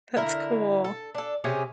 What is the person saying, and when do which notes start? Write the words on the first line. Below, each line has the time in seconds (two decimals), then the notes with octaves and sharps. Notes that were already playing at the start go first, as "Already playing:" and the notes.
That's cool.
0.16 D3 E4 A#4
0.84 A4
1.15 D4 A4
1.44 C3 C#4 G4 G#4